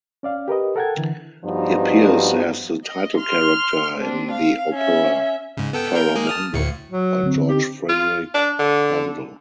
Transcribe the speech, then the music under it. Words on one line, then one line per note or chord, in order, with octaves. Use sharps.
He appears as the title character in the opera "Faramondo" by George Frideric Handel.
C#4 D5 F5
G4 A#4 B4 D#5
A4 A#4 F#5 G5 A5 G#6
D3 E3
G2 F3 B3 D#4 F#4
D#5
C6 F6
C4 D4
F5
C#4 E5
G#2 C#3
B3 A4 G5
A#4 G5 G6
G#3 A#3 G#4
A5 D#6 F6
D2 A2 C#7
F#3
D3 C4
D3
D#4 G4
F4
D4
D3